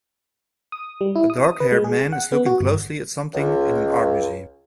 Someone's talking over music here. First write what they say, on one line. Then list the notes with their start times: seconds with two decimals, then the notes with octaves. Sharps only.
A darkhaired man is looking closely at something in an art museum.
0.72 D#6
1.01 G3
1.15 E4
1.30 D#6
1.44 D#6
1.60 B4
1.72 G#3
1.84 G#4
2.12 F#5
2.32 B3
2.46 F#4
2.61 G1
3.34 C#2